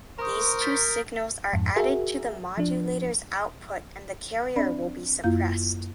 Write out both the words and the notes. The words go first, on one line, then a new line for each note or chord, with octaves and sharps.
These two signals are added to the modulator’s output and the carrier will be suppressed.
A#4 C5 A#5 C#6 D#6
G6 A6 B6
F2 G#2
F#4 G#4 A#4 E5
F3 D4
C4 D4 D5 B5
F#2 A#3 E4 F4 F5 G6